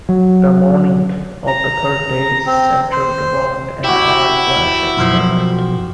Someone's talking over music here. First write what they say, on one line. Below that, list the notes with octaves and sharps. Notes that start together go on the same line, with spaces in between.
The "morning" of the third day centered around an "eye flash" experiment.
F#3
A#5
C4
C5
E4 F#4 G4
B1 F#2 F3